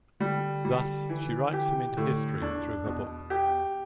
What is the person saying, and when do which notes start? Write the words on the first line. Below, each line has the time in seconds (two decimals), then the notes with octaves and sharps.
Thus, she writes him into history, through her book.
0.20 D3 G3
0.65 G3
1.09 E3
1.53 G4
1.92 B2
1.97 A2 D3
2.41 E2 D4
2.86 E2 B2
3.30 G4